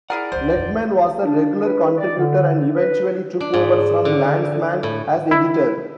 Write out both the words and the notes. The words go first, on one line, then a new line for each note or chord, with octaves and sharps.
Legman was a regular contributor and eventually took over from Landesman as editor.
E4 G#4 A#4 D5 F#5
C#2 E3 C5
F2 D3
D4
B4
D5
D3
B4
D4
G#2
D3
A2
E4